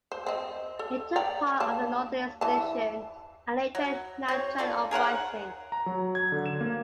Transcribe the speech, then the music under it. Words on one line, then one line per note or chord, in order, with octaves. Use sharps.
He took part of the Northern Expedition and later the Nanchang Uprising.
C5
C4 D#5
A4
D5 G5 A#5
A#3 A5
E3 A5
F#3
C4 C#5
F4 A4 D5
G#4 A#4 C5 F#5
A#5
F#3
G#6
D3
E7
A#3